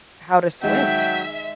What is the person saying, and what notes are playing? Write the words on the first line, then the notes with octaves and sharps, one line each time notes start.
how to swim.
D#3 F#3 G#3 E5 G5